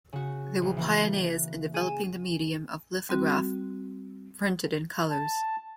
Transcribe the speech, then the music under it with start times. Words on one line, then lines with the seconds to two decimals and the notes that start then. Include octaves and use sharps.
They were pioneers in developing the medium of the lithograph printed in colours.
0.13 C#3 F#4
0.62 A#1
0.77 E3 A#3 B4
1.74 G#4 D#7 E7
3.09 G3 C4 F#4
5.10 A5